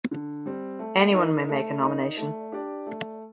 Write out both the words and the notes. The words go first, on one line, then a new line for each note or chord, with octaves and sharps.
Anyone may make a nomination.
D3
G3 C4
A3
D#4 A#4 D#5
A3
D#4 A#4 D#5
A3
D4 G4 D5
A3